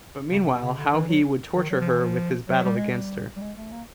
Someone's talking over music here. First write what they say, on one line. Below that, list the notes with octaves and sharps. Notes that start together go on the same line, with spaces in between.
But meanwhile, how he would torture her with his battle against her.
C#3
C3
B2
C#3
D3
E3
F#3
D#3
F#3
F3
E3
F3
F#3
G3
G#3
G3
G3
G#3
A3
A#3